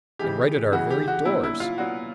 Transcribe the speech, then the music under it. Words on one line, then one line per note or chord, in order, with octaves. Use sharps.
And right at our very doors!
C#3 E3 G#3 G4
C#3 E3 G#3 F#4
G4
F#4
A#2 F#3 B3 D4 E4
E4
F4
A#2 F#3 B3 D4 F#4